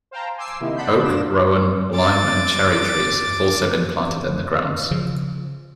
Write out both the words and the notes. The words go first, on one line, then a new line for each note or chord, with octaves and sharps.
Oak, Rowan, Lime and Cherry trees have also been planted in the grounds.
C5 F5 G5 A5 A#5
G#5 C6 D6 E6 C7
C3 D#3 A#3 D#4 E4
D5 F#5 A5 B5 C6 G6
F#2 D4 F4 D6 A#6 E7
D6 A6
C#3 F3